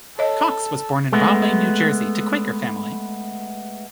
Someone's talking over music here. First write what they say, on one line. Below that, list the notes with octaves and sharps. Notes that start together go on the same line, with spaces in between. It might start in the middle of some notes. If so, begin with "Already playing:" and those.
Cox was born in Rahway, New Jersey to Quaker family.
A4 C#5 D#5
G#3 A3 B3